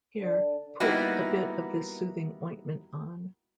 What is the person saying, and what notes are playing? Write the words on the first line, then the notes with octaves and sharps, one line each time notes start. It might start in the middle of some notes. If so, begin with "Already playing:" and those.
Here, put a bit of this soothing ointment on.
D3
G3 A#3 B3 D#4 E4 F#4